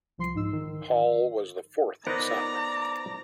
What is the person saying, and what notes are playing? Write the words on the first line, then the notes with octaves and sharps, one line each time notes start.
Hall was the fourth son.
C2 F3 C6 C7
G#2 D#4 E6
D#3
B3 D#4 A#4 C5 D5 A#5